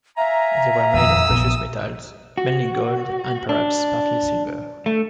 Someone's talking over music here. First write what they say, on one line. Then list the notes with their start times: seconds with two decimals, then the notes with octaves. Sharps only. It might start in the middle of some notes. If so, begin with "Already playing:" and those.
They were made of precious metals, mainly gold and perhaps partly silver.
0.17 E5 F5 G#5 A#5
0.94 D#1 F2 D#6 E6
1.30 A#1 F3 B3
2.38 F#4
3.49 D4
4.86 A3